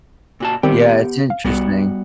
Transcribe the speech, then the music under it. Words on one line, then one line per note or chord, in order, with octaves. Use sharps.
Yeah, it's interesting.
A#2 F#4 A5
D#3 G3 B3 C4 G4
F5
C2 G3 B3 F#4